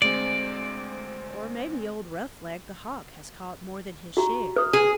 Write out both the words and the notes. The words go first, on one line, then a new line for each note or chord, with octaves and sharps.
Or maybe old Rough-leg, the Hawk, has caught more than his share.
D2 G#3 C4 D5
F#4 G4 A#5
B4 D#6
G#4